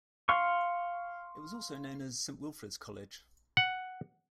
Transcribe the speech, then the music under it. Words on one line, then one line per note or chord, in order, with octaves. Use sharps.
It was also known as "Saint Wilfrid's College".
F5 C6 C#6
F#5